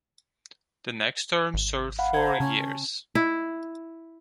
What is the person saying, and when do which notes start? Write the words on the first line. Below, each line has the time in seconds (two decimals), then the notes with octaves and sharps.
The next term served four years.
1.54 G#1
1.99 F5 F#5 B5
2.14 C5 A5 A#5 G#6
2.40 C#3 C#4 A5
3.15 E4